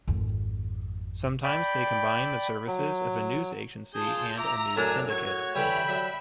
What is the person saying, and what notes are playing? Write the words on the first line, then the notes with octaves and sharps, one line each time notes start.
Sometimes they combine the services of a news agency and a news syndicate.
G#1 F2
D5 G5 B5
F#3
F4 G#4 A5 G6
E5 A#5 D6
F#2 A2 D4 G#5
F#4 C#5 G#6
D3 E3 G3 E5 G5 B5
F#3 D4